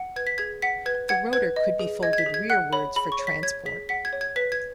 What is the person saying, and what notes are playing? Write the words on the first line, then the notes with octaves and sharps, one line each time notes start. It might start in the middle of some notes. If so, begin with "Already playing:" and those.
The rotor could be folded rearwards for transport.
Already playing: F#5
B4 G#6
B6
G#4 G#6
F#5 B6
B4 G#6
F#5 G#6
B4 G#6
D#5
G#4
D#5 G#6
G#6
B6
G#4
G#6
F#5 F#6
C#5 B5
G#4 B5
C#6
C#5
B6
C#5 G#6
G#4 B6
F#5 B6
G#6
C#5
G#6
B4 B6
G#6